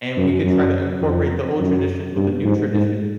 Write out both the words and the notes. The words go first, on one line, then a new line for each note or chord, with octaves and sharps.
and we could try to incorporate the old traditions with the new tradition,
F#2
F#2
F2
F#2
G2
G#2
G#2